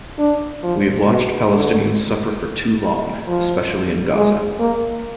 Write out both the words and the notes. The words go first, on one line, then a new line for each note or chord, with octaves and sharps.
We have watched Palestinians suffer for too long, especially in Gaza.
D4
F3
B2
D3
F3
G#3
A#3